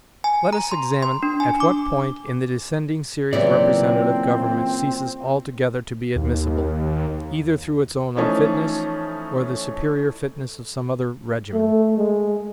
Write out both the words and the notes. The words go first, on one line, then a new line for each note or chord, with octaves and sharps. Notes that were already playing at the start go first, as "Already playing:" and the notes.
Let us examine at what point in the descending series representative government ceases altogether to be admissible, either through its own unfitness or the superior fitness of some other regimen.
G#5
A#5
C6
C6
D4
G#5
D6
A#2 C#3 E3 F#3 C4 D5
D#2
E3 F3 A3 C#4 D#4
A3
G#3